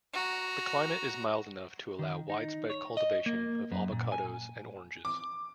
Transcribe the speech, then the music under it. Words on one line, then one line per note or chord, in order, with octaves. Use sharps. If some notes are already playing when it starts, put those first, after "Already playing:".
The climate is mild enough to allow widespread cultivation of avocados and oranges.
F#4 A#5
D#3
D#4
C#5
D#5
A#3
F#2
A#2
G#5
D6